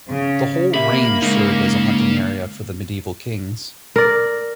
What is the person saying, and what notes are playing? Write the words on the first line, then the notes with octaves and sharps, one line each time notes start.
The whole range served as the hunting area for the medieval kings.
C#3
A#3 G4 E5 B5
C#3 G#3 D#4
A#4 D5